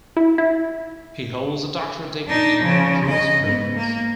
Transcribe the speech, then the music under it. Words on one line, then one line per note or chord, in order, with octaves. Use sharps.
He holds a doctorate degree in Jurisprudence.
E4
E4
D4 D#4
C#3 F3
C#3 D#5
G#2 B3
A#3